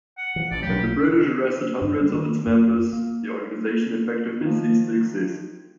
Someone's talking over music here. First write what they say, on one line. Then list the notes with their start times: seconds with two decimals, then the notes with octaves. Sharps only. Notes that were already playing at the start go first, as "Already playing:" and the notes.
When the British arrested hundreds of its members the organization effectively ceased to exist.
0.18 F#5
0.36 E3 F3
0.51 A1 D5
0.62 B1 F#3 G4
1.82 G2
2.01 G3
2.14 D#3
2.47 F#2
2.93 A#3
4.41 D#3 F3